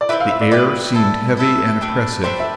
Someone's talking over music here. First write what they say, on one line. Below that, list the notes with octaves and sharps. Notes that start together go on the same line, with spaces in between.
The air seemed heavy and oppressive.
D5
C4 E4 G4 B4 E5
F5
E5
D5
C4 E4 G4 B4 D5
E4 A4 E5
E4 A4 E5
A3 D4 G4 B4
A3 D4 G4 B4 C5
E5